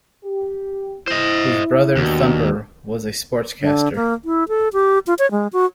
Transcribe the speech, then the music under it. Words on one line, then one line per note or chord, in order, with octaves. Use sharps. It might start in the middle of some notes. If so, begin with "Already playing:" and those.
His brother Thumper was a sportscaster.
G4
E4 C5 D#5
D#2 B2 D4 F#4
D3
A#3
E4
A4
G4
F4
C#5
G#3
F#4